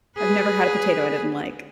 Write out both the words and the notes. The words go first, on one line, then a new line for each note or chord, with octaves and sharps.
I've never had a potato I didn't like.
G#4 B4